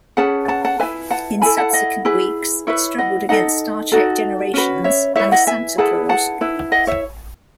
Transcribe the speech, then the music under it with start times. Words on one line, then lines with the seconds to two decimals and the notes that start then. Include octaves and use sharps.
In subsequent weeks it struggled against "Star Trek Generations" and "The Santa Clause".
0.17 C#4 G#4 B4 F#5 A5
0.48 F#5 A5
0.65 F#5 A5
0.80 E4 B4 E5 G#5
1.11 F#5 A5
1.42 E4 A4 G#5 B5
1.57 F#5 A5
1.73 D#5 F#5
2.05 E4 G#4 B4
2.67 E4 B4 C#5 E5
2.98 D#5 F#5
3.29 D#4 A4 D#5 F#5
3.92 D#4 F#4 A4
4.54 C#4 F#4 B4
4.84 C#5 E5
5.16 E4 B4 C#5 E5
5.32 D#5 F#5
5.47 E5 G#5
5.78 E4 G#4 B4 F#5 A5
6.09 F#5 A5
6.41 E4 B4
6.72 D#5 F#5
6.87 C#5 E5